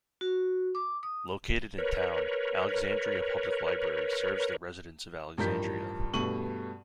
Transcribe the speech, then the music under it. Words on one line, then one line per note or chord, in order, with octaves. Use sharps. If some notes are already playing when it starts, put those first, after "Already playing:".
Located in town, Alexandria Public Library serves the residents of Alexandria.
F#4
D6
D#6
A#4 B4 C#5
A1 G2 F3 A#4 G6 B6
G2 B2 A3 C#6 D#7 F#7